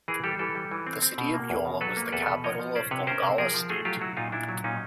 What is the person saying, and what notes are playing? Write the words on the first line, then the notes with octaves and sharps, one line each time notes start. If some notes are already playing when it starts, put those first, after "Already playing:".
The city of Yola was the capital of Gongola State.
E3 G#4 A#4
G3 G4 A4
E3 G4 A4
G3
E3
C4
C4
B2
A#3
E2
B2
F#3 A4 B4
A#3
A#4
E2 A4 B4
B2
F3 C#5 D#5
F3
C#4 C5 D5
C3 B4 C#5
C#4 A#4 C5
C3
F3 G#4 A#4
F3
A3 F#4 G#4
F#3 F4 G4
F#3 E4 F#4
A#2 D#4 F4
A#2 D4 E4
F#3
A#2 C#4 D#4